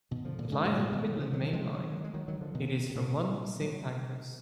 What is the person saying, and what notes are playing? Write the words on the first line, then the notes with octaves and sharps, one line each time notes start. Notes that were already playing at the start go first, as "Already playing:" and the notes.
It lies on the Midland Main Line, it is from London Saint Pancras.
B2 D#3
D3 F3
A#2 D3
G#2 B2
G#2 B2
A#2 D3
F3
B2 D#3
D#3 F#3
D3 F3
D#3 F#3
F3 G#3
D#3 F#3
G#3
D#3 F#3
D#3 F#3
D3 F3
B2 D#3
D#3
A#2 D3
F#3